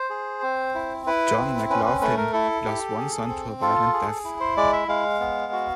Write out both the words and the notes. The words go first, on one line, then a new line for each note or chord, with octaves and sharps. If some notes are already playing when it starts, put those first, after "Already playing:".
John McLoughlin lost one son to a violent death.
Already playing: C5
G#4
C4
E4
E4 B4
C4
C#4 B4
B4
A3 B4
A#4
E4 A4
G4
G#4
C4
F4 A4
G#4
E4
C5
G#3 D5
E5
G#3 F5
B3
F#4